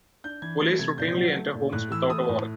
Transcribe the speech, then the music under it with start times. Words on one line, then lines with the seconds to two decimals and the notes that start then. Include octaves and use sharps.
Police routinely enter homes without a warrant.
0.24 D4 G6
0.42 E3 G#6
0.61 A3 A6
0.79 C3 G#6
0.98 A#2 G6
1.17 F#3
1.36 A3
1.55 A#2
1.73 A2 F#6
1.91 E3 E6
2.10 A3 D#6
2.29 A2